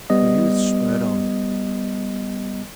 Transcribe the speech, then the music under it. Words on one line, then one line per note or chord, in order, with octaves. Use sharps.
The youths spurred on.
G3 B3 D#5